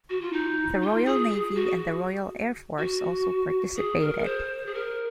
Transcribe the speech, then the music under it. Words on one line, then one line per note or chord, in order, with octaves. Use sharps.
The Royal Navy and the Royal Air Force also participated.
F#4
F4
D#4
F4
G#4
G#4
F#4
F#4
G#4
A#4
A#4
C5
G#4
A#4